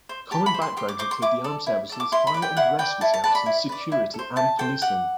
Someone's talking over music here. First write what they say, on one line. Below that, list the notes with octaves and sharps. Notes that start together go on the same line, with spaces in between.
Common backgrounds include the armed services, fire and rescue services, security and policing.
C5
G4 A5
B5
C5
C6
G4 C6
D6
C5 D6
C6
E4 D6
A4 D5
E4
A4 D5
D6
E4 C6
B5
B4 D5
G5
E4 F#5
B4 D5 G5
E4 A5
A5
B4 D5 A5
B5
E4
B4 D5
E4
A4
C5
E4 A5
A4 C5 G5
G4 F#5